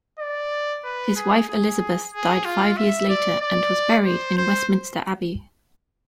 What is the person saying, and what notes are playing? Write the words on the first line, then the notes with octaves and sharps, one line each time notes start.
His wife Elizabeth died five years later, and was buried in Westminster Abbey.
D5
B4
G#4
G#4
G#4
F4
E5
D5
D5
C5
C5